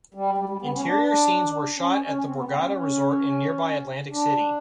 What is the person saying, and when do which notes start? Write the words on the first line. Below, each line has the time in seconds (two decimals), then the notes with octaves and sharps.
Interior scenes were shot at the Borgata resort in nearby Atlantic City.
0.14 G3
0.38 G3
0.49 G3
0.62 B3
0.73 C#4
0.85 D4
1.78 C#4
2.02 C#4
2.25 C4
2.36 B3
2.48 C4
2.60 C#4
2.72 C#4
4.11 D4